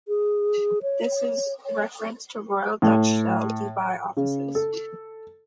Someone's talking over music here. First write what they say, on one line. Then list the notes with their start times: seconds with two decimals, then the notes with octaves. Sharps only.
This is referenced to Royal Dutch Shell Dubai Offices.
0.08 G#4
0.82 C#5
1.65 C#5
2.82 A2
4.17 C#3
4.55 A4